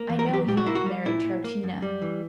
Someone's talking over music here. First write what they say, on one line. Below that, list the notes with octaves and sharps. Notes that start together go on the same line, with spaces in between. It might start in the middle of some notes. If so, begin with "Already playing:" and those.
I know you have married Troutina.
Already playing: A#3
E2
A#4
F#3 G4
A#2 G4
F#4
A#3 E4
F#4
G3
A#2 E4
A#2
A#3
F#2
G3
E3